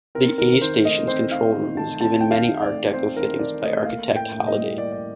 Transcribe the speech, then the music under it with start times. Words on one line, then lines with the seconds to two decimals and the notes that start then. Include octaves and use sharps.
The A Station's control room was given many Art Deco fittings by architect Halliday.
0.15 C4 A#4
0.38 D#3 A#4
0.61 D#3 C5
0.85 A3 D#5
1.07 C4 C5
1.30 D#3 F5
1.54 D#3
1.77 A3 A5
2.00 C4 A5
2.21 D#3 G5
2.31 F5
2.46 D#3
2.62 D5
2.70 A3
2.93 C4 C5
3.16 D#3 A#4
3.39 D#3 D5
3.62 A3 D#5
3.85 A#3 F5
4.08 A2
4.16 G5
4.32 A2
4.47 D#5
4.55 G3
4.78 A#3 D5
4.92 D5